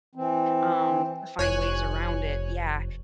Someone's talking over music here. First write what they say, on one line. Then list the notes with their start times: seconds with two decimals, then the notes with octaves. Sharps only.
um, to find ways around it. Yeah.
0.15 E3 C4
1.39 F1 C#5 G#5 F#6